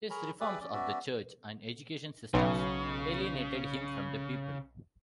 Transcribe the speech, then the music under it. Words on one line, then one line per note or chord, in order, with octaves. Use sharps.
His reforms of the church and education systems alienated him from the people.
G#4 A#4 C#5 A#5 B5
G4 G#4 B4 D5 E5 B5
C#4 D5
B3 C#4 F#4 D5 E5
B1 C#3